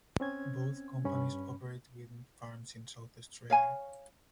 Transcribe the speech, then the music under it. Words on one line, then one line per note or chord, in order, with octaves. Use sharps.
Both companies operate wind farms in South Australia.
C4 C#4 G#6
G2 C#4 B5
C#5 F5 G#5